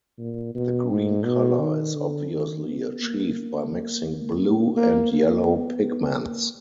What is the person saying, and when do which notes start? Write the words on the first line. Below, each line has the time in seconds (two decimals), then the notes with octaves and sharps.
The green color is obviously achieved by mixing blue and yellow pigments.
0.19 A#2
0.55 B2
0.89 G#2
1.24 B2
1.59 D#3
1.95 D3
2.30 D#3
2.66 B3
3.01 A#3
4.76 A#3
5.12 A#3
5.46 B3
5.82 B3
6.18 A#3